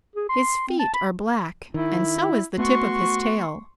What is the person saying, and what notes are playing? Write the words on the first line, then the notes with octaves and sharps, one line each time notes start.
His feet are black and so is the tip of his tail.
G#4
C6
C4
A5
B5
D#3 E4
A3 B3 F#4 C6 C#6